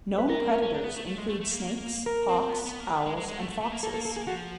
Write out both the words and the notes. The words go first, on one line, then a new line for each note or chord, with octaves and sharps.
Known predators include snakes, hawks, owls, and foxes.
B4
B3 A#4
C4
C#4
C#4
D4
B3
A3
A3
G#3
A3
A3
A#3
A#4
C4
B3
B3
A#3
A3
G#3
G#3
G#3
A3
A3
A3
A#3
A#3 A4
A4
A4
G#4
F3 F#4